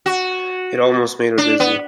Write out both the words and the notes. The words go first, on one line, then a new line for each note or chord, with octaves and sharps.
It almost made her dizzy.
F#4
D4
B3